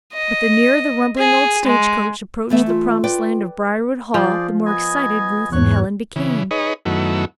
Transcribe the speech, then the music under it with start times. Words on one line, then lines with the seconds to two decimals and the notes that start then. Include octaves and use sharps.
But the nearer the rumbling old stagecoach approached the promised land of Briarwood Hall the more excited Ruth and Helen became.
0.13 D#5
1.18 G#4
1.65 G#3
2.50 E3 A3 B3 E5
2.67 F4
3.04 B4 D5 G5
4.14 F3 G#4 C5 D5
4.66 B3 D#5 G#5
5.53 E2 G#2 C#5 C#6 F#6
6.16 C#3 E3
6.51 D#4 G#4 B4 C#5 D#5
6.85 F#2 D#3 F#3 A3 B3 E4